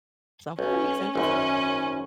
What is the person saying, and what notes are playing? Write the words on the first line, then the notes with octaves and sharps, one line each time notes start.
So, that makes sense.
B1 C#4
G#1 F#2 C#4